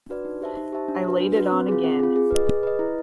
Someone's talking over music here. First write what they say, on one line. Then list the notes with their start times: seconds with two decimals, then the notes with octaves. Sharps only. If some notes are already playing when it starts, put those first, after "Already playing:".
I laid it on again.
0.09 D4 F#4 B4 D5
0.25 D#4
0.41 G4 C5 E5 A5
0.57 D#4
0.73 G4 C5 E5 A5
0.88 D4
1.04 F#4 B4
1.20 D4
1.36 F#4 B4
1.52 C4
1.68 F4 G#4
1.83 C4
1.99 F4 G#4
2.16 G#4
2.30 B4 D#5
2.47 G#4
2.63 B4 D#5
2.79 E4